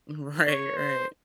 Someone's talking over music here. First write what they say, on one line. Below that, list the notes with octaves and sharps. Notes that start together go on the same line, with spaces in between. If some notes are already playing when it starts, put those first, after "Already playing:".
Mm, right, right.
C#5
C5